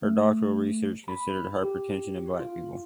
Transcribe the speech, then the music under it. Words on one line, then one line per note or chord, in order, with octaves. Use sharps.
Her doctoral research considered hypertension in Black people.
A3
B5
G4
F4